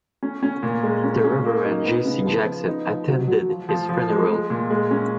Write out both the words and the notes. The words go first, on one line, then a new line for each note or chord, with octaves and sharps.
The Reverend Jesse Jackson attended his funeral.
C#4
C#4
A#2
G#3
C#4
C#4
A#3
D#4
B3
C#3
F3
B3
D#4
F3
F#3
F#3
F3
F3
F3
G#3
G#3
A#2
G#3
C#4